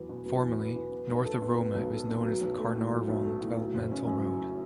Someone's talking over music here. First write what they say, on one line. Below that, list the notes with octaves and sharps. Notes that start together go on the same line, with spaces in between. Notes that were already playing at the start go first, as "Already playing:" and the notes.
Formerly, north of Roma it was known as the Carnarvon Developmental Road.
Already playing: E2 F#3 B3
B2
F#3
E2
B3
B2
B3
B1
A4
B2
B3
B1
A4
B2
F#3
B1
A3
A2
F#3
B1
A3
A2
F#3
F#1
C#4
F#2
F#3